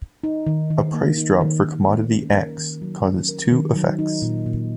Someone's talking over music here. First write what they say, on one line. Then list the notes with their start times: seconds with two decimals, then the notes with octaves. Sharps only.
A price drop for commodity X causes two effects.
0.24 D#4
0.47 D#3
0.70 D#3
0.94 A#3
1.17 D#4
1.41 D#3
1.64 D#3
1.88 A#3
2.11 C#4
2.35 A#4
2.58 D#3
2.82 F#3
3.05 C#4
3.29 A#4
3.52 D#3
3.76 F#3
3.99 D#4
4.22 A#2
4.46 A#2